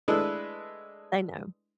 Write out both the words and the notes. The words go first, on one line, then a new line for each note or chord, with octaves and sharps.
they know.
G#3 A3 D4 E4 B4 D#5